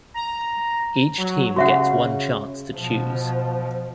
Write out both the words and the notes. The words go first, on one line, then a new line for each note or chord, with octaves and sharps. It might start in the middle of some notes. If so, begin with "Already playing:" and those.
Each team gets one chance to choose.
A#5
F#3
C#3 F#4 E5 F#5
B2 F3